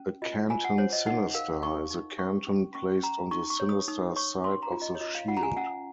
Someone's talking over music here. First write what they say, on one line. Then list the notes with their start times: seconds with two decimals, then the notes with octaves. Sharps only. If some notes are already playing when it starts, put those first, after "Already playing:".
A "canton sinister" is a canton placed on the sinister side of the shield.
Already playing: C#4
0.22 F4 D#5
0.50 F4 G#5
0.65 F#5
0.78 C5 C#5
0.93 D#5
1.06 D#4 F#5
1.34 A#4 F5
1.63 D#4 C#6
1.91 D#4
2.19 C#4 C#6
2.47 C#4
2.75 C#4 C#6
3.03 C#4 A#5
3.31 D#4 C#6
3.50 C#6
3.60 C#5
3.69 D#6
3.88 D#4 D#6
4.16 C#5 C#6
4.44 C#4 C6
4.63 A#5
4.72 F4
4.82 D#5
4.95 C#5
5.00 F4 D#5
5.15 F5
5.28 F4 F#5
5.37 A#5
5.43 G#5
5.56 C#4 F#5